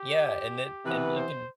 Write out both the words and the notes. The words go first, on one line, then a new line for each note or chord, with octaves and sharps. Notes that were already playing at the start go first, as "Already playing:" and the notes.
Yeah, and then and you can
Already playing: G4
C3 E3 B3 B4
C5